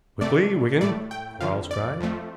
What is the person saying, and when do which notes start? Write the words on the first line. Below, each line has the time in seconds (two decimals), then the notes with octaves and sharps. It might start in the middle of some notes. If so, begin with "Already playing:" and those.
"Quickly, Wigan!" Quarles cried.
0.21 C3 A3 D5
0.81 A2 A3 D5
1.11 G5
1.41 F2 D3 F3 F5
1.71 D5
2.01 F2 F3 A3